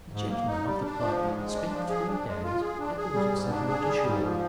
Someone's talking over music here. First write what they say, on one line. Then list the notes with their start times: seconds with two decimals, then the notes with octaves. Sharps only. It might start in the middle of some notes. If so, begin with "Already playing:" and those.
The gentlemen of the club spent three days at the little settlement ashore.
0.12 G#2
0.29 A#3
0.47 D#4
0.65 G3
0.83 D4
1.01 F3
1.18 G#2
1.36 G#3
1.54 D4
1.72 F3
1.90 G#4
2.07 D4
2.25 G#3
2.43 F4
2.61 G#4
2.79 D4
2.97 G#4
3.14 G3
3.32 G#2
3.50 D4
3.68 G#4
3.86 G3
4.03 G#2
4.22 F3